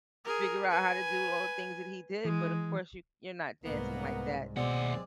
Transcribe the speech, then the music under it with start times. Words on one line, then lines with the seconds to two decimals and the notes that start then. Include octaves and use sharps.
figure out how to do all the things that he did, but of course you you're not dancing like that,
0.24 G#4 A#4
0.71 B4 G#5
2.25 E3 G#3
3.65 C2 G#2 A#3 B3
4.57 D#2 B2 G#3 C4 D5 F#5